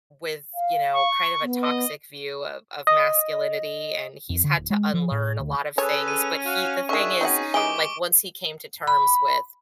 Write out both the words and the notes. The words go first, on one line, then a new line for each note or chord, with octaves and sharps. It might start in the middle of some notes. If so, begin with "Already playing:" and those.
with, you know, kind of a toxic view of of masculinity and he's had to unlearn a lot of things but he the thing is, like once he came to terms with,
F5
C#6
B3
D#5
D#5
F2
D3
D1
G#3
F3
A2
D2
C#4 G#4 A4 B4 C#5
D#7
F#4 F5
D3 D#3 D4 G#4 E5 C#6
B2 C4 C#4 D#4 G#4 D#5 F#5
F#2 E3 G#3 G4 G#4 D6 D7 G7
B5